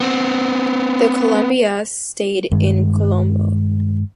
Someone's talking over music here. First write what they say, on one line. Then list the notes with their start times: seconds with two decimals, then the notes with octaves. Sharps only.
The Colombia stayed in Colombo.
0.01 B3 C4
2.52 G2 D#3 G#3